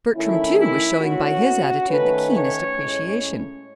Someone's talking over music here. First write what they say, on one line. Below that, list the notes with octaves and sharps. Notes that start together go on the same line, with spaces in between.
Bertram, too, was showing by his attitude the keenest appreciation.
D#3 A3 C#4 E4
E4
B2 A3 C#4 F#4
D#3 A3 C#4 B4
C#5
A2 G#3 C#4